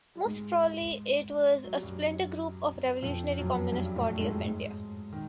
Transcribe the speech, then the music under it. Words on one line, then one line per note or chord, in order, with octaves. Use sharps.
Most probably it was a splinter group of Revolutionary Communist Party of India.
G3
G#2 G#3
F#3
G3
F#2 F#3
F2 F3
F#2 F#3
G2 G3
A2 A3
G#2 G#3
G#2 G#3
D#3